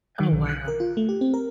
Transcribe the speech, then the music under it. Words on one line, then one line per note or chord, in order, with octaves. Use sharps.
Oh, wow.
D#3
B1
F#6
A#4
F4
A3
G4
C4
A#4